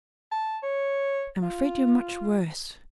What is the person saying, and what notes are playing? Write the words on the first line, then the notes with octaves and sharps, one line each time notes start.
'I'm afraid you're much worse.
A5
C#5
F4